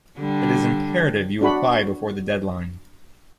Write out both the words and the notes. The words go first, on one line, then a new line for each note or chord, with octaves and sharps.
It is imperative you apply before the deadline.
D3 G3 D4
D4 F#4 B5